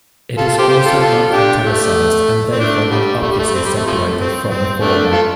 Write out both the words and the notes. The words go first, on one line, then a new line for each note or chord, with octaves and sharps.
It is also non-italicized and therefore not obviously separated from the former.
F4 A4
F4 A4
G4 C5
G4 C5
F4 A4
F4 A4
D4 G4
A3
C4
A3 D4
D3 G3
A3
G3
A3
C4
G3
A3
C3 F3 A3
C4
C4
A3 D4
F4 A4